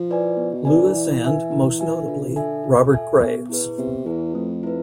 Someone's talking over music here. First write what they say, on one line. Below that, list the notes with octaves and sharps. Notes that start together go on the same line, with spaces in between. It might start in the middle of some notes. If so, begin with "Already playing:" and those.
Lewis and, most notably, Robert Graves.
Already playing: F3
E4 B4 D5 G#5
B3
B2
C3 E4 B4 D5 G#5
D3
E3 E4
B4 E5 G#5
E4
B4 E5 G#5
D3 F4
E3
D3 A4 E5 G#5
F4
A4 E5 G#5
B3
E4 G#4 B4
C3 B3
E2 E4 G#4 B4
F2 A3
E4 B4